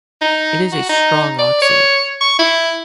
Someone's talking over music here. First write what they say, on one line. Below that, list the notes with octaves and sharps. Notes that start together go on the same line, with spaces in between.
It is a strong oxidant.
D#4
F#4
D#4
D5
C#5
C#6
E4